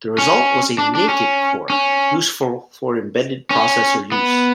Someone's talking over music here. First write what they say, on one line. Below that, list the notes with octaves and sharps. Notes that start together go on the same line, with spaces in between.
The result was a "naked" core, useful for embedded processor use.
C#4
D4
D4
C#4
C#4
C#4
B3